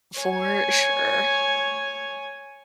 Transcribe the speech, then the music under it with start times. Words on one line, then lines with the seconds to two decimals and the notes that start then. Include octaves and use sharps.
For sure.
0.20 C#5 G#5